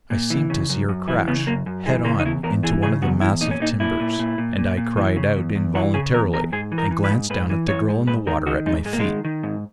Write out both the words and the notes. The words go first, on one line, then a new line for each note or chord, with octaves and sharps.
I seemed to see her crash, head on, into one of the massive timbers, and I cried out involuntarily, and glanced down at the girl in the water at my feet.
A#2
E3
C#3
F#2
F#2
E3 E4
C#3 B3
F#2 A#3
F#2
E3 G#3
C#3 A#3
D#4
E2 E4
E2 A#4
E3 G#4
C#3 G#4
E2 F#4
E2 E4
A#2 D#4
C#4
A#2 D#4
A#2 E4
A#2
A#2
A#2
A#2
A#2
E3
C#3
E2
E2
E3 F#4
C#3 G#4
E2 A#4
E2 A#4
G#2 G#4
E3
A#4
E3
B4
G#2
G#2 B4
E3
E3 C#5
G#2
G#2 B4
D#3 A#4
D#3 F#4
G#2 D#4
G#2 G#3
A#3
D#3 G#3
D#3
G#2